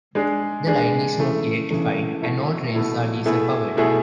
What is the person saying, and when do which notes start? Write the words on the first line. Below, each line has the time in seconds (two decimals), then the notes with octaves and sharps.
The line is not electrified and all trains are diesel-powered.
0.15 G#3 D4 G#4
0.67 G#3 D4 G#4
1.19 C#3 E3 A3
1.71 C#3 E3 A3
2.22 B2 A3 E4
2.74 B2 A3 E4
3.25 B2 A3 E4 G#4
3.77 B2 A3 E4 G#4